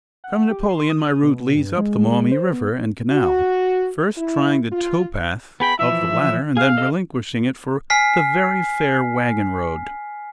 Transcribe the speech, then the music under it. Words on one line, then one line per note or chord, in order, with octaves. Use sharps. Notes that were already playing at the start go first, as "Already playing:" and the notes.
From Napoleon my route leads up the Maumee River and canal, first trying the tow-path of the latter, and then relinquishing it for the very fair wagon-road.
F#5
G4
C6
D#6
B2
G2
G#3
G#3
C5
B3
F#4
E4
F4
B3 G#4 G5 B5
E3 F3 E4 E5
G#4 F5
A4 D#5 E6
G#5 F6 B6 C7